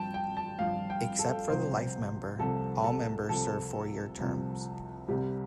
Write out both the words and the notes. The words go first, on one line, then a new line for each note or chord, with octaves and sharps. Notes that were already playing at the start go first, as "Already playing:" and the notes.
Except for the life member, all members served four-year terms.
Already playing: G2 F3 G5 A5
G5
A5
G2 F3 F5
G5
A4
C2 C3 F3 C5
C2 C3 F3 A4
A4
C2 C3 F3 A4
C2 C3 F3
C2 C3 G3 G4